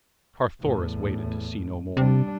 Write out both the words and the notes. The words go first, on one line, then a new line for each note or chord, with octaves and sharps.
Carthoris waited to see no more.
E2 A2
C3 G3 D4